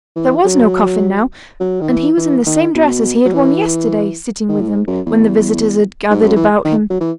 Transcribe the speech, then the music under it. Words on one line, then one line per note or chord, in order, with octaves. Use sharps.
There was no coffin now, and he was in the same dress as he had worn yesterday sitting with them, when the visitors had gathered about him.
E3
F#3
F#3
D#3
E3
E3
D#3
B2
F#3
E3
D#3
A2
G#2
F#2
E2
G#2
F#2
E3
D#3
F#3
E3